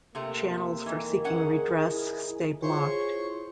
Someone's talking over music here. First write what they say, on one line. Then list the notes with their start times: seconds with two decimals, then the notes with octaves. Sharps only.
Channels for seeking redress stay blocked.
0.15 C3 A3 A#3
0.86 D#3 E3
1.24 C#4 G#4 F#5
1.90 E4
2.62 E4 F4 G#4 C5 C#5 C#6